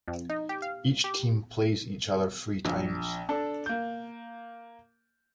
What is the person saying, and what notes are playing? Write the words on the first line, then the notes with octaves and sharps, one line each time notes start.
Each team plays each other three times.
F2
D#4
G4
F5
G4
A#1
D4 A4
A#3 G6